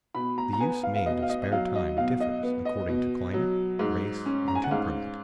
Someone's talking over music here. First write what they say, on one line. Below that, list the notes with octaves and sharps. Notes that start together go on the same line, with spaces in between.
The use made of spare time differs according to climate, race, and temperament.
B2 B5
A#5
A#5
B3 G#5
F5
F5
B2 D#5
F5
D#5
D#5
F#3 F5
D#5
B2 F5
D#5
B3
D#5
B2
F#3
G#2
C#4
A#5
G#5
F#5
G#2 F5